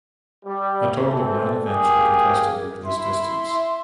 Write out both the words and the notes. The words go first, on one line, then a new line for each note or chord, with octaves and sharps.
A total of nine events were contested over this distance.
G3
E3 C4 A4
A#3 G4 G#4
E4 E5 C6
E5